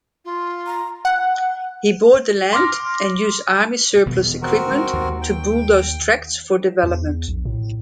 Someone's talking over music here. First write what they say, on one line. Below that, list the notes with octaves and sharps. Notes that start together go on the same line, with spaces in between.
He bought the land and used army surplus equipment to bulldoze tracts for development.
F4
A#5
F#5
C6 D6 F6 A#6
E1 B2 D#3
C4 F#4 A#4
G#3
D#2
G5
E2
A#1
A2